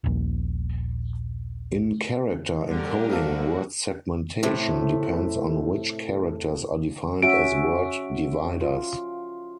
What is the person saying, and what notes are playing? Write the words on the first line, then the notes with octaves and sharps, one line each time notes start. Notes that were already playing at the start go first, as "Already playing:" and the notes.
In character encoding, word segmentation depends on which characters are defined as word dividers.
D#1 A#1
D3 G3 B3 C#4 G4 A#4
C3 A#3 F#4 A4
A2 C3 A3
C#4 F#4 E5 D7
F4